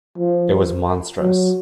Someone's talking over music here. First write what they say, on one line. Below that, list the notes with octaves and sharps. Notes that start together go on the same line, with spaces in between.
It was monstrous.
F3
F#3